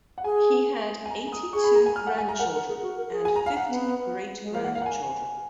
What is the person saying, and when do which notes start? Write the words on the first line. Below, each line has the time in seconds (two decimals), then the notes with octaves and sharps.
He had eighty-two grandchildren and fifty great grandchildren.
0.18 F#5
0.24 G#4 G#5
1.06 G#5
1.10 A#5
1.32 D#6
1.53 G#4 C#6
1.64 B5
1.75 A#5
1.86 G#5
1.96 F6
2.07 F#5
2.18 G#5
2.29 A#5
2.39 A#4 F#5
2.53 A#4
2.68 G#4
2.82 F#4
2.97 A#4
3.10 G#4
3.25 G#5
3.36 A#5
3.46 F5
3.57 F#5
3.68 B3
4.42 G#3
4.54 A#3 F5
4.64 F#5
4.75 F5
4.82 F#5
4.86 G#5